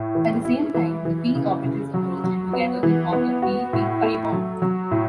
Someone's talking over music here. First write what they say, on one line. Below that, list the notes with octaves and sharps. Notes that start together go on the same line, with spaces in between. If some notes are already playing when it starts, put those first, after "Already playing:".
At the same time the p-orbitals approach and together they form a p-p pi-bond.
Already playing: A2
E3
E4
E3
E3
C#3
C#3
F#3
F#3
B3
E3
B3
F#4
A2
A3
F#3
F#3
A2